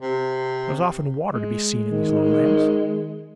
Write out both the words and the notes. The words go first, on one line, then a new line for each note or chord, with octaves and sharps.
There was often water to be seen in these Lowlands.
C3
G#3
D#3